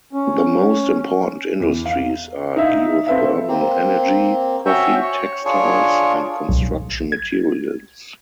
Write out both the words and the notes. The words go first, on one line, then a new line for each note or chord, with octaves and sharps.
The most important industries are geothermal energy, coffee, textiles and construction materials.
C#4
E2
F5
D#4 E5 F5
C4 A4 B4 E5 F5
A#3 C4
C#4 F#4 C#5 E5 G5
C#5
D4 F4 G#4 C#5
B1
G#6